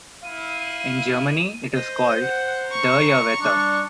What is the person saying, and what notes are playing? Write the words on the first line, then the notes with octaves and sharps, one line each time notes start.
In Germany it is called "Dreierwette".
E4 F5 D#7
C5 D#5
F#5
A#5 C#6
G3 D4